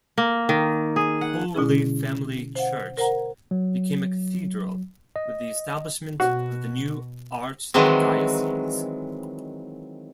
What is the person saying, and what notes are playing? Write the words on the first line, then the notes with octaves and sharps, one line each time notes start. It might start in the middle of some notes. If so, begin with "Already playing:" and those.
Holy Family church became a cathedral with the establishment of the new archdiocese.
A#3
D#3
G#4
F#5
B2 D3 G#3 C#4 E4 G#4
C5 F5 F#5
A#4 C5 F#5 A#5
F#3
D#5
B2 F#4
D#3 E3 F#3 G#3 C4